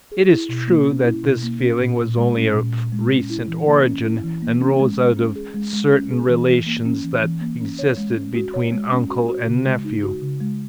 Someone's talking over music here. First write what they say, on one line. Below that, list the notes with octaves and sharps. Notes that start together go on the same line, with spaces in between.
It is true that this feeling was only of recent origin; and rose out of certain relations that existed between uncle and nephew.
G#4
E4
B2
A#3
C#4
E4
B2
A#3
C#4
A#2
A#2
G#3
C#4
A#2
A#2
G#3
C#4
E4
E3
A#3
C#4
E4
E3
A#3
C#4
G#3
G#3
C#4
G#4
G#3
G#3
C#4
G#4
E3
E3
A#3
C#4
E3
E3
A#3
C#4
C#5
G#3
C#4
F#4
C#5
G#3
C#4
F#4
F#4
C#3
G#3
D#4
F#4
C#3
G#3